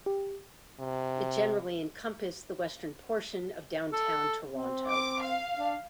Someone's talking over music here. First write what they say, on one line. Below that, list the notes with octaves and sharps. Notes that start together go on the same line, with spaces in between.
It generally encompassed the western portion of Downtown Toronto.
G4
C3
A4
C4
D6
F5
D4